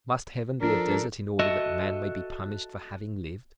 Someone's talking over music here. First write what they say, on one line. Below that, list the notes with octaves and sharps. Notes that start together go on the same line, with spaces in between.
Must heaven be a desert in order that man may be punished for having lived?
F3 D4 A4 A#4
F#4 A4 D#5 E5